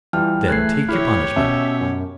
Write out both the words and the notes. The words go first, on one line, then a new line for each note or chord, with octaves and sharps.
"Then take your punishment!"
E3 G3 F4 G5 A5 F6
A3 G#4 F#6 G#6 C7
E4 G4 C#5 F6
B2 C#4 E5 A5
F#2